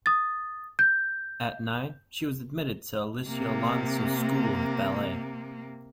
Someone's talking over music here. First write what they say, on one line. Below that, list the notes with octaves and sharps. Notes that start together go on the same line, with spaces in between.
At nine, she was admitted to the Alicia Alonso School of Ballet.
D#6 A6
G6
C3 A#3